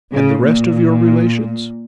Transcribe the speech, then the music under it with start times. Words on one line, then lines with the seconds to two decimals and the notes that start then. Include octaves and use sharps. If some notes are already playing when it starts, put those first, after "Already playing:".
'And the rest of your relations?'
0.11 C#3
0.43 A#2